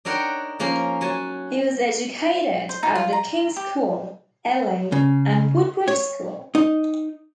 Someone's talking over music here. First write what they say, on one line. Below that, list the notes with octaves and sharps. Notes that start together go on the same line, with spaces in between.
He was educated at The King's School, Ely, and Woodbridge School.
D4 D#4 A#4 C#5 F#5 G5
F3 A#3 C#4 A#4
F#3 F#4 G#5 A5
C5
D#4
F4
A#5
G4
C#3
C#5
D#4